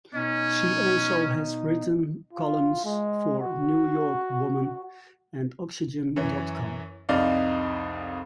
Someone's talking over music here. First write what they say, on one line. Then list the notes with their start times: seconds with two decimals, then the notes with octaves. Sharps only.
She also has written columns for "New York Woman" and "oxygen dot com".
0.14 B2 C#4 D#4
2.33 F4
2.85 G#3
3.40 F#4
6.16 F#2 E3 C#4
7.09 C2 F2 D#4 D5 F5